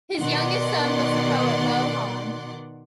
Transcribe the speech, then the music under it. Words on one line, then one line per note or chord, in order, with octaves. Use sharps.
His youngest son was the poet Moe Hein.
B2 D#3 D5 F#5 C6 D6